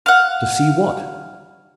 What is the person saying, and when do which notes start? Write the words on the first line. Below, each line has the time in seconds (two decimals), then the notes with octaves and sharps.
To see what?
0.06 F5 F#5